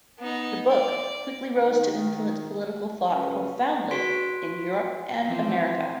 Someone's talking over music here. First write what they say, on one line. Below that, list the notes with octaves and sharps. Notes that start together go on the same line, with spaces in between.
The book quickly rose to influence political thought profoundly in Europe and America.
B3 D#4
D5
D#3
C#2 F#2 C#3 A3 C#4 B4
F#4 B4 C6 B6 D7
E3 F3 C4